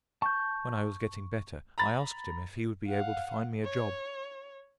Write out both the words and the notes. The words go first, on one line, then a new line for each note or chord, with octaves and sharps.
When I was getting better, I asked him if he would be able to find me a job.
A5 C#6 G6
A#5 B5 A6
F5 F#5
C#5